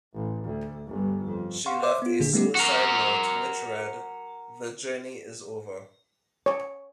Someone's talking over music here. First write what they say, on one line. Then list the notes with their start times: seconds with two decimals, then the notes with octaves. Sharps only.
She left a suicide note, which read: The journey is over.
0.14 A1
0.45 D2
0.87 G1 G2
1.23 F2
1.66 F5 F#5 C6 C#6
1.83 C5 C#5 E5 C6 D6
2.02 B3 F4
2.19 G#1 A#2 D3 A#3 D4 G#4
2.33 G3 A3 B3 C#4 D#4 G4
2.55 F#4 A#4
6.46 C#5